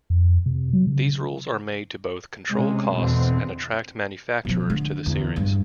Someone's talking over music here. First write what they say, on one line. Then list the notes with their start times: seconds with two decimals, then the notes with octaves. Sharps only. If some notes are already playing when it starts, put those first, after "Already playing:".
These rules are made to both control costs and attract manufacturers to the series.
0.10 F2
0.46 C3
0.73 F#3
0.87 C#3
2.51 C3 G#3 C#4
2.96 E2 B2 D3 C4
4.45 B2 F3
4.70 D3
5.06 E2
5.36 G2